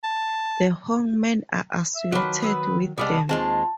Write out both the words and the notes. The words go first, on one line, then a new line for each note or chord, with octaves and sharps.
The Hongmen are associated with them.
A5
E5
D#3 F3 F#3 B4 D6
B3 B4 D#6 E6
C2 G3 G#3 B3 D5 A5
D#2 G#3 C4 F4 A5